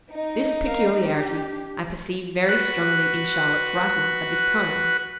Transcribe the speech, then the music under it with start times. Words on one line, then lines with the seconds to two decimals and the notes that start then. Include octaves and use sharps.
This peculiarity I perceive very strongly in Charlotte's writings at this time.
0.12 D#4
0.65 A#4 F5
1.01 D4 G4
2.49 F#4 B4